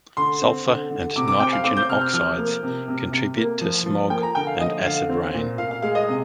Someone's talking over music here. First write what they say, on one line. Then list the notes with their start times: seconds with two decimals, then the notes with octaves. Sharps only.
Sulfur and nitrogen oxides contribute to smog and acid rain.
0.17 D3 C6
0.42 C4
0.66 D3
0.90 D3
1.16 C3 D6
1.28 D6
1.40 C4 G5
1.53 F5
1.64 C4 D6
1.77 G6
1.89 C3 F6
2.01 F6
2.13 F3 F6
2.38 A#3
2.63 C3
2.88 C3
3.12 C3
3.37 A#3
3.61 F3
3.86 F3
4.10 A#3 G5
4.23 A#5
4.35 D3 G5
4.47 F5
4.60 F3 D#5
4.85 D3 F5
5.09 C4
5.34 A#2
5.58 A#2 F5
5.71 F5
5.82 G#3 F5
5.95 D#5
6.08 C3